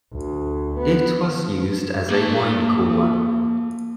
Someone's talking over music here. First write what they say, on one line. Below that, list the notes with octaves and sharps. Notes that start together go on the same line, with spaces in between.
It was used as a wine cooler.
D2
B3
A#3 A5